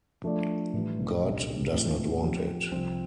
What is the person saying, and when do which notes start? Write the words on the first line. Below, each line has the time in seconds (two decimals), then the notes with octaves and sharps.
God does not want it!
0.24 F3 A3 D4 A4 D5
0.73 A2 E3 G3
1.23 C2 A#2 G3 D4
1.73 A2 E3 A3 C4 F4
2.22 F3 C4 G4
2.71 C2 C3 F3 C4 F4